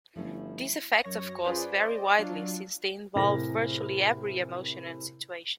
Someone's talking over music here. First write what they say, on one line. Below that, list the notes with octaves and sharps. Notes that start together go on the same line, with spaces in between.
These effects of course vary widely, since they involve virtually every emotion and situation.
G1 F3 A3 C#4 E4
F#2 C#5 A#6
C#4 F4 G#4 B4 C5 D5
C5 D5 D#5
F#3 D4 F4
A2 C3 G#4 A#4 A#6